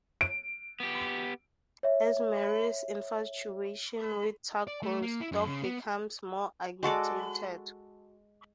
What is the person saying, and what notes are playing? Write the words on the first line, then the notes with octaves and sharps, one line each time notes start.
As Marie's infatuation with Turk grows, Doc becomes more agitated.
D7
B3 G4
C#5 E5
D5
A3
A#3
E4
F#2
C#3
B3
G#3 F#4 A4 D5